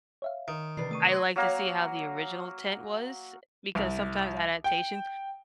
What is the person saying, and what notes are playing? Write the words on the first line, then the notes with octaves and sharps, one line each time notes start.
I like to see how the original tent was, eh, because sometimes adaptation
C#5 E5 F5
D#3 D7
C3 E3 D4 B4 C7
A3 C#6 D#6 D#7
C6 G#6 A#6
F#3 A#3 F5 A#5
C2
G5